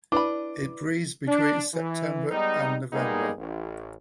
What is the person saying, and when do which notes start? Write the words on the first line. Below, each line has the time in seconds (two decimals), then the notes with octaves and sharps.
It breeds between September and November.
0.12 D4 E4 B4 D5 B5 D6
1.28 D4
1.74 E3
2.31 G3 G#3 B3 D#4
2.93 G3 G#3 A#3 B3 D#4 G#4
3.38 A1